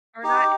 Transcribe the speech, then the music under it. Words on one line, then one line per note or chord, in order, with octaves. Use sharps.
Or not
D#4 G4